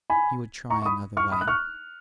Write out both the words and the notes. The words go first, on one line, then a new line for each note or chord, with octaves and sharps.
He would try another way.
G#5 B5
A#5 C#6
C#6
B5 D#6
C#6 F6
B5 D#6
F#6
C#6 F6